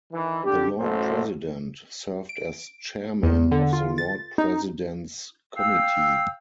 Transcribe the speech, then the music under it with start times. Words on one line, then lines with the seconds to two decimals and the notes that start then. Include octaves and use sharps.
The Lord President served as chairman of the Lord President's Committee.
0.13 D#3 E3
0.44 D3 D4 G4
0.78 A1 F#2 F#3 A3 C5
2.29 D7
3.23 E2
3.52 D3
3.73 F4
3.98 A6
4.38 D#4
5.56 F5 G5 E6